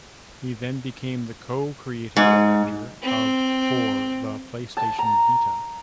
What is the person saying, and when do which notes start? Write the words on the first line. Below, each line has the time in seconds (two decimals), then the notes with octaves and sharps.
He then became the co-creative director of for the PlayStation Vita.
2.17 G#2
3.03 C4
4.77 A5
4.99 A#5